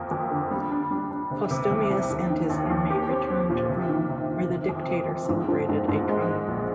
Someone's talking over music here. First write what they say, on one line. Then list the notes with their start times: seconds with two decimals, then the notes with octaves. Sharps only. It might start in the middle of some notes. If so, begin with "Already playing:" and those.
Postumius and his army returned to Rome, where the dictator celebrated a triumph.
Already playing: F2 A#3
0.11 F2
0.31 D3
0.51 G3
0.71 D4
0.91 G3
1.11 D4
1.31 C3
1.51 C3
1.71 C2
1.90 C2
2.10 D#2
2.30 D#3
2.50 D#2
2.70 D#2
2.90 G4
3.09 C4
3.29 C4
3.50 A#2
3.69 C3
3.89 D#3
4.09 C3
4.29 D#3
4.49 C3
4.69 F2
4.88 C3
5.09 F2
5.29 G#2
5.48 F3
5.69 G#2
5.88 G#2
6.09 G#3
6.29 G#3
6.48 A#1